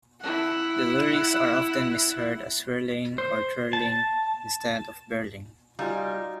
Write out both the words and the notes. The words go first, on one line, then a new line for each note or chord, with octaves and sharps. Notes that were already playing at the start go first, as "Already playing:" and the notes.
The lyrics are often misheard as "whirling" or "twirling" instead of "birling".
E4 F#5
C5
A5
G3 D#4 F4 F#4 F5 G#5